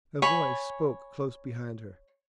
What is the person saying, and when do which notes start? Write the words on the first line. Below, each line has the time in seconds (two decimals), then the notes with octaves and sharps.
A voice spoke close behind her.
0.22 C#5 G#5 B5